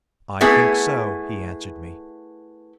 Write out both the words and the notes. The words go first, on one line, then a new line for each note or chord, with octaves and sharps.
"I think so," he answered me.
A3 B3 E4 G#4